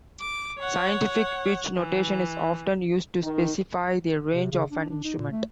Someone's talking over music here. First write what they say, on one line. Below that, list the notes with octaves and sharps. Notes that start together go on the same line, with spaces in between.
Scientific pitch notation is often used to specify the range of an instrument.
D6
C#5 F#5
E3
D#3
C3
C#3
D4
D4
D#4
A#2
A3